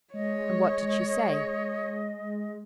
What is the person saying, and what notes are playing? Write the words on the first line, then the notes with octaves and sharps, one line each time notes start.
"And what did she say?"
G#3 C#5 D#5